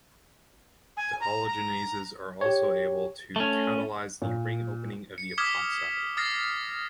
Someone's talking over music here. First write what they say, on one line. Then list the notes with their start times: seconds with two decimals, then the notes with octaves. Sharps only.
Dehalogenases are also able to catalyze the ring-opening of the epoxide.
0.97 G#5
1.21 A#5
1.47 A#5
2.41 G4 C#5
3.36 A3 C#4
4.22 A#2
5.18 C#7
5.38 D6 D#6 F6 G#6 B6 G7
6.17 D#6 F6 A6 A#6 C7